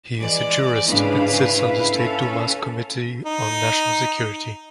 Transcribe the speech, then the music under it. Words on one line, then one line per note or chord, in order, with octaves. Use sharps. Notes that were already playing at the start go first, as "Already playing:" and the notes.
He is a jurist, and sits on the State Duma's Committee on National Security.
E3 G#3 D5
G#2 C#3 D4 E4 B4 F5
C#4 A4
D#4